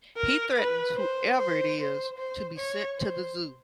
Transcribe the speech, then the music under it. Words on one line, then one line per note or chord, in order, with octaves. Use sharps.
He threatens whoever it is to be sent to the zoo.
A#4
B4
C5
C5
C5
C5
C#5
C5